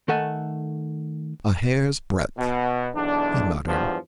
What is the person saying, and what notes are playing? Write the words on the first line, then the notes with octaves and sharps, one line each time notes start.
"A hair's-breadth," he muttered.
D#3 A3 A4 F#5 G#5
B2
B1 E2 D4
E2 G2 F3 F#3